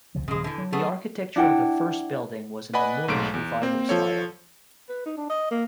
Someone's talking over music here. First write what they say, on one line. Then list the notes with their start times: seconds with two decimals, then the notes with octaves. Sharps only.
The architecture of the first building was in the Moorish Revival style.
0.15 C#2 C3 F3
0.28 D#1 C#3 F3 G#3
0.44 D3 E3
0.58 F#3
0.73 A3 B3 G#4
1.36 D4 E4 F#5 G5
2.74 B4 D5 D#5 F#5 G#5 B5
3.08 B1 G#2 A3 D7
3.34 E2
3.62 A#3 C4
3.89 F3 A4 C#5
4.89 B4
5.06 D#4
5.17 D4
5.30 D#5
5.51 A#3